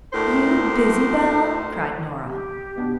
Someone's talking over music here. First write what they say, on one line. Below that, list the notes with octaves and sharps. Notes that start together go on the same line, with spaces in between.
"You busy, Belle," cried Nora.
D2 A2 A#4 C5
G4
B2 B3 D4